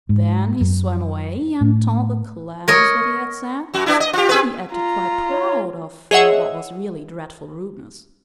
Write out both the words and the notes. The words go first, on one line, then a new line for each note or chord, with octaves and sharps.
Then he swam away and told the Clams what he had said, and he acted quite proud of what was really dreadful rudeness.
G#2
F#2
A2
A#4 C#5 D#5
F#2 F#4
B3 D4 E4
D#5
F4 G4
C4 G#4 B4
F4 A#5
C#5
G#4 C#5 D#5 E5 F#5 E6